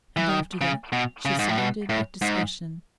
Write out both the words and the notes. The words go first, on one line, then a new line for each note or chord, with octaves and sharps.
And after that she surrendered at discretion.
E3
D#3
C#3
B2
C#3
G#2
A2
B2
A2
G#2